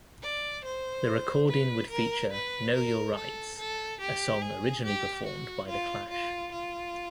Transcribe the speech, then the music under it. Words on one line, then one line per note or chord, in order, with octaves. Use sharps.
The recording would feature "Know Your Rights", a song originally performed by The Clash.
D5
C5
B4
A#4
B4
A#4
A4
A4
G4
G#4
G4
F#4
F4
F4
F4